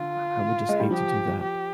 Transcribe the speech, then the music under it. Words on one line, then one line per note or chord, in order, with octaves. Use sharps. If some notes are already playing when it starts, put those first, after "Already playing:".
I I would just hate to do that.
Already playing: D3 F4
G#3
G3
F3 G4
G4